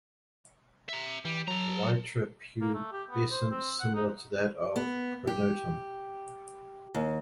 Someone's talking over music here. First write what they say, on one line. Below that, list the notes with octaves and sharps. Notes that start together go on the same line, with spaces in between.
Elytra pubescence similar to that of pronotum.
E5 A#5
E3 G3
F#3 A4 A#5
A#3
A3
G4
B3
C5
C4
F#5
D#4
B3
G4
D#2